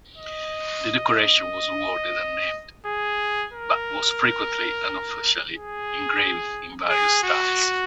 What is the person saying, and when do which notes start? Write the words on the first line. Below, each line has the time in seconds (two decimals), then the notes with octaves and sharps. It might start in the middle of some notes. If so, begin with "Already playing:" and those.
The decoration was awarded unnamed, but was frequently unofficially engraved in various styles.
0.18 D#5
2.86 G#4
3.53 A#4
5.55 G#4
6.89 G#4
7.23 F#4